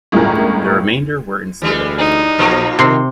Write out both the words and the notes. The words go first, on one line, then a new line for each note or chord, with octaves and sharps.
The remainder were in storage.
G1 C#2 A2 F3 G#4 A#4
D2 E3 G3 G#3
D#4
B1 A#2 F3 A#3
C3 D#3 C6